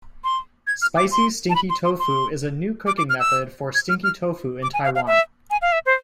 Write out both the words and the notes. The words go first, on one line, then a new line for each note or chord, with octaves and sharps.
Spicy stinky tofu is a new cooking method for stinky tofu in Taiwan.
C6
G#6
F6
D6
C6
A5
B5
C6
C6
C6
D6
D6
F6
E6
G#6
F6
F6
D6
G#5
F5
F5
E5
G#5
F5
E5
C5